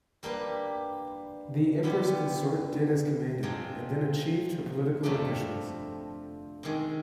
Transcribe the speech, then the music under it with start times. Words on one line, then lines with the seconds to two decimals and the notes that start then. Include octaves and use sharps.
The Empress Consort did as commanded, and then achieved her political ambitions.
0.23 G3 A#3 D4 G4 B4
1.83 D3 G3 B3 E4 G4
3.43 C3 F3 G#3 C4
5.03 F2 C3 F3 A3 D4
6.63 C3 D#3 G#3